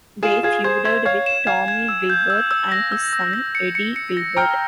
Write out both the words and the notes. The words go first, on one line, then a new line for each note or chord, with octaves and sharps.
They feuded with Tommy Gilbert and his son, Eddie Gilbert.
F4 G#4 E7
F4 G#4 G#6
G#4 C5 G#6
C5 E5 G#6
C#5 F5 G#6
E7
F5 G#5 G#6
G#6
E6
G6
E6
E6
A#6
E6
E6
A#6
C#7
C#7
C#7
A#6
G5 A#5 F6